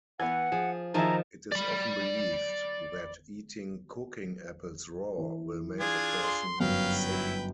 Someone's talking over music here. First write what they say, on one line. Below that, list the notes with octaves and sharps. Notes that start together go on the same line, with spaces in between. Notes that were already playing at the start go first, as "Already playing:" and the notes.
It is often believed that eating cooking apples raw will make a person sick.
E3 B3 F#5
F3 G#4
D#3 F3 E4 G#4 A5 A#5
D5 B5
E3
D4 F4 G#4 G#6
C6
G1 F#2 F#3 B4 F5 G5
E4